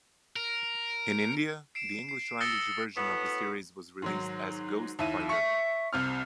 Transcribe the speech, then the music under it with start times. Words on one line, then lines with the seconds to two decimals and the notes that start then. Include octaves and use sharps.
In India the English-language version of the series was released as "Ghost Fighter".
0.36 A#4
1.75 C7 D7 E7
2.09 C7
2.40 D#6 E6 A6 A#6 C#7 G7
2.96 A2 F#3 A3 B3
4.02 G#2 D#3 F#3
4.99 D#2 E4 D#7
5.29 E5 C#6 C#7
5.93 C2 C3 F6